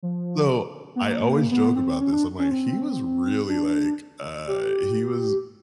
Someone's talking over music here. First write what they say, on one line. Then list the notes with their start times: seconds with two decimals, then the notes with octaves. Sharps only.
So, I always joke about this, I'm like, "He was really like uh, he was
0.03 F3
0.96 B3
1.01 A#3
1.51 B3
1.76 C4
2.00 C#4
2.12 D4
2.38 C#4
2.51 C4
3.49 D4
4.48 G4